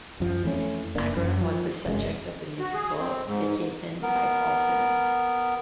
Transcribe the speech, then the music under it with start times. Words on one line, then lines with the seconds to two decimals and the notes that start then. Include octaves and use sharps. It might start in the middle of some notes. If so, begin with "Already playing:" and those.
Agron was the subject of the musical "The Capeman" by Paul Simon.
0.20 F#2 F3
0.44 F2 E3 A3 C#4
0.95 F#1 A#3 D4
1.17 F#2
1.41 F3
1.86 F1 F#2 G#3
2.60 F#4
2.74 G#4
2.99 C4
3.26 G#2
4.02 B3 A#4